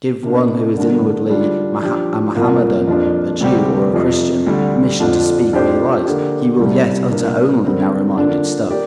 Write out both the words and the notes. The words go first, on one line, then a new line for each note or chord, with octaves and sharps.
Give one who is inwardly a Mohammedan, a Jew, or a Christian, permission to speak what he likes: he will yet utter only narrow-minded stuff.
C3 A#3 D4
G2 D3 A#3 D4
D3 G3 D4 F4
F3 D4 G4
C2 A#2 A#3 F4
F2 F3 A#3 D4 F4
D2 C3 G3 C4 G4
F2 C3 F3
D2 D3 G3
F2 D3 F3 D4 F4
F2 F3 D4 G4 C5
D3 A#3 G4
C2 C3 G3
C2 A#2 A#3 D4
D3 G3 C4 A#4
D3 A#3 D4 F4
A#3 G4 D5